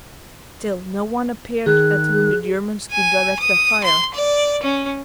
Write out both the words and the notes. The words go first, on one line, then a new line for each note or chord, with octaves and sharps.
Still no one appeared at whom the Germans could direct their fire.
D#3 G#4 F#6
G#5
D#6
C6
D5
C#4